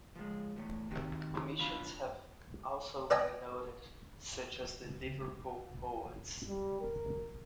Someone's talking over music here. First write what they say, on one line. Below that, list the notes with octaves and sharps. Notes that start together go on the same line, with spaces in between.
Omissions have also been noted, such as the Liverpool poets.
F3 G#3
E2 A2
D#3 C4 F#4 G4
F#2 B2 D4 F4 F5 B5
B4 D5 D#5 G5 G#5 A#5
G3
A#4